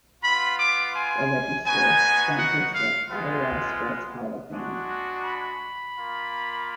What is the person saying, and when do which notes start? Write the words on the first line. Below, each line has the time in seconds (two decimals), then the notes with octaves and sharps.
The "Register" sponsors the Iowa Sports Hall of Fame.
0.23 B3 F4 B5
0.58 D6
0.95 G#5
1.66 B3 D#4 F#4 G#5
2.38 F#5
2.74 F5
3.09 G#3 B3 F4
4.53 G#3 D4 F#4
5.24 B5
5.96 A#3 F4